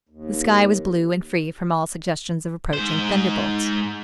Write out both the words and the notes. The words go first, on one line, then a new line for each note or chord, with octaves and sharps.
The sky was blue and free from all suggestions of approaching thunderbolts.
D#2
G#2 C5